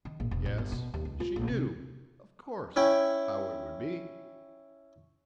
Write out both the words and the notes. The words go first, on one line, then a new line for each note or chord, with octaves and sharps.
Yes, she knew, of course, how it would be!
D#3
A#1
E1
A1
G1
B2
D#2
C#2
F4
A#1
C3
C#4 E4 G5